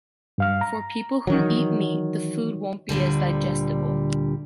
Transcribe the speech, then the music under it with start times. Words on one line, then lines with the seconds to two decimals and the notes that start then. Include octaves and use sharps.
For people who eat meat the food won’t be as digestible.
0.38 G2 F5 F6
0.61 A#5
1.27 D#3 E3 F#3
2.89 D2 A#2 D3 G3